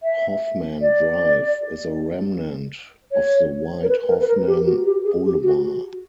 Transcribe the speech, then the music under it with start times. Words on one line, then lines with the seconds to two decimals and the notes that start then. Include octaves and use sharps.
Hoffman Drive is a remnant of the wide Hoffman Boulevard.
0.03 E5
0.81 D5
3.12 C#5
3.83 A#4
3.89 B4
4.08 A#4
4.20 B4
4.28 A#4
4.47 G4
4.66 F#4
4.86 G4
5.05 G#4
5.25 G4
5.43 F#4